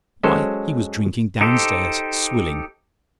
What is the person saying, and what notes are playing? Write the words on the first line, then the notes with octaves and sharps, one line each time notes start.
Why, he was drinking downstairs--swilling.
F#3 G#3 C#4 A4 C5
D#4 G4 A4 C5